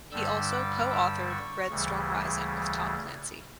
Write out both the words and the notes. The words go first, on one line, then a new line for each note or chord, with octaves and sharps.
He also co-authored "Red Storm Rising" with Tom Clancy.
G2 D3 G3 E6
D6
E6
C#6
D2 C#3 E3 G3